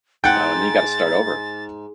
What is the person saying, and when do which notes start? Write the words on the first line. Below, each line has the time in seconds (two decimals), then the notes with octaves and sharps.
Oh, and then you gotta start over.
0.24 G#2 F#5 G5 A6